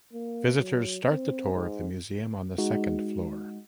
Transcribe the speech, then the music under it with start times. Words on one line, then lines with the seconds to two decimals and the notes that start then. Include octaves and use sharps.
Visitors start the tour of the museum on the second floor.
0.13 A#3
0.59 F#3
1.09 C4
1.53 G#2
2.58 G#3 D#4 F#4